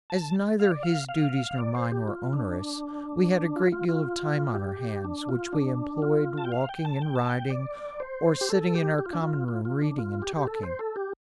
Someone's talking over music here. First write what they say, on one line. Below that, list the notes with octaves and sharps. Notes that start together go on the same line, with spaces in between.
As neither his duties nor mine were onerous, we had a great deal of time on our hands, which we employed walking and riding, or sitting in our common room reading and talking.
A5
F5
D5
F5
F5
D5
C5
G4
F4
D4
F4
F4
F4
G4
D4
F4
D4
F4
A5
G5
F5
G5
A5
G5
A5
G5
D5
C5
G4
A4
G4
G4
F4
D4
F4
F4
F4
D4
F4
G4
G4
A4
C5
A4
G4